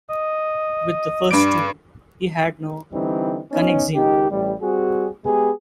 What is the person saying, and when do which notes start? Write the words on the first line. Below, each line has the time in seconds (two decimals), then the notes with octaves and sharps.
With the first two he had no connexion.
0.10 D#5
1.31 G2 D5 D7
2.93 D3 E3 G3 C4 D#4
3.51 B3 C#4 D#4
3.94 C#2 D#3 D#4 G4
4.30 A1 G3
4.61 G3 C4 F#4 G#4
5.24 G#3 B3 G4 G#4